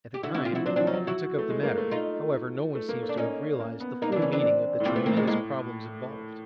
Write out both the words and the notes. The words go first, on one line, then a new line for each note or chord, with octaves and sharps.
At the time he took up the matter, however, no one seems to have realized the full meaning of the tremendous problems involved.
G4
D3 E4 F#4
C3 E4 F#4
F4 G4
F3
E4 F#4
F#3 C4 D4
F3 C4 D4
C#4 D#4
F#3
E4 F#4
A3
G#3
A#3
A3
D#4 F4
A3
A#3
A3
D4
C#4 D#4
A#3
B3
A#3 D#4
E3 D4
C#4
C#3
C4 D4
A2
A#2 A#3 C4
A3 B3
A#3 C4
G#3 A#3
A2 G#3 A#3